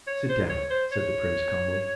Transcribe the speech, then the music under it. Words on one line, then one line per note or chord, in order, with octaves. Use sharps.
"Sit down," said the Prince calmly.
C#5
C5
C#5
C5
C#5